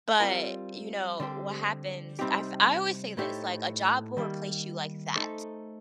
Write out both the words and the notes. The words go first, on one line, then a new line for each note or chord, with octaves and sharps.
but, you know, what happens I've I always say this, like, "A job will replace you like that.
G3 C4 F4 A#4
D3 G3 C4 G4 C5
C3 G3 C4 D#4 G4
A2 A3 D#4 G4 C5
D#3 G3 A#3
A3 D#4 A4 C5